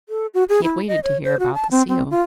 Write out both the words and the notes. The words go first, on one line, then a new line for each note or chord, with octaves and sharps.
He had waited to hear about the seal.
A4
F#4
G#4
E4
D#5
C#5
C5
F#4
A5
C4
C4
F4